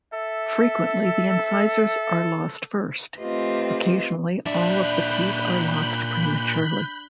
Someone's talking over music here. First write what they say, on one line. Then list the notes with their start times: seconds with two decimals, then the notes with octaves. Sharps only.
Frequently, the incisors are lost first; occasionally all of the teeth are lost prematurely.
0.13 A4 E5
3.18 A3 C4 F4 G4 B4 D#5
4.46 A#2 D4 E5 B5 F#6 G6